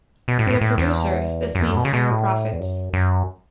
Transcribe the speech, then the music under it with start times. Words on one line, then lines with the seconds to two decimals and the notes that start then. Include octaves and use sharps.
For the producers, this means higher profits.
0.28 B2
0.39 A2
0.47 F#2
0.51 A2
0.61 A2
0.78 E2
1.55 F#2
1.60 E2
1.70 F#2
1.77 B2
1.85 C#3
1.93 B2
2.11 A2
2.53 E2
2.60 F#2
2.93 F#2